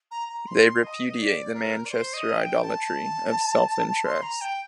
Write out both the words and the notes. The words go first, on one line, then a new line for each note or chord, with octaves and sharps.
They repudiate the Manchester idolatry of self-interest.
A#5
A#5
C6
D#5
D5
A#4
D5
C5
D#5
G5
A5
C6
A#5
G5